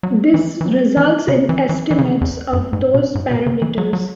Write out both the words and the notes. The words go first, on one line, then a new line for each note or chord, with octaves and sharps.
This results in estimates of those parameters.
F#3
E3
E3
F#3
E3
C#3
E3
E3
E3
C#3
E3
E2
F#2
G#2
B2
G#2
B2
C#3
E3
F#3
F#3